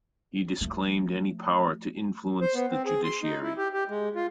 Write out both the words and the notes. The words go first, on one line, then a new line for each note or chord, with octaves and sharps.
He disclaimed any power to influence the judiciary.
F3 A3
C5
B3
C4
G#4
C6
D#4
E4
G4
G4
G#3
F4